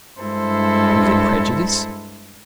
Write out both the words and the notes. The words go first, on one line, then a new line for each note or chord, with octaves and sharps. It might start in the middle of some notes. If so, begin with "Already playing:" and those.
Was it prejudice?
G2 G#3 E4 A4 C5